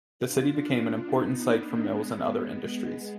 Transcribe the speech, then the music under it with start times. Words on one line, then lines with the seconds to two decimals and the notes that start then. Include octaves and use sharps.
The city became an important site for mills and other industries.
0.24 D4 F4
1.04 B3 D#4
1.44 A#3 D4
1.84 G#3 B3